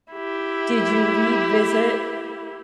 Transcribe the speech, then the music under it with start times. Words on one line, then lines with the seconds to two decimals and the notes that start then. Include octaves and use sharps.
did you revisit
0.12 E4 G4